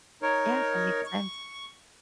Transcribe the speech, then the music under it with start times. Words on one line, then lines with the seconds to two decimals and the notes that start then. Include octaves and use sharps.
Yeah, that makes sense.
0.22 D#4 A#4 C#5
1.06 C#6